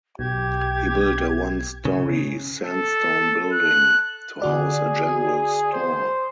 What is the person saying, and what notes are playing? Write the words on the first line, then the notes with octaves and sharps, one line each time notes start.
He built a one-story sandstone building to house a general store.
B1 G4 G#6
C#3
A4
F#6
D3 F#4 G#4 D5
C5